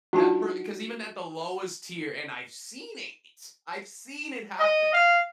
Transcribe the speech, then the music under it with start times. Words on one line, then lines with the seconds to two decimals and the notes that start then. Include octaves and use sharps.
That per 'cause even at the lowest tier and I've seen it. I've seen it happen.
0.13 F#3 D4 D#4 F4 F#4 A5
4.59 D#5
4.93 F5